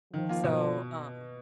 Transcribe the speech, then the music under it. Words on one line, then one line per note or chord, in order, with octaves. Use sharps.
So, um,
D#3 F3
A#3 F4
B2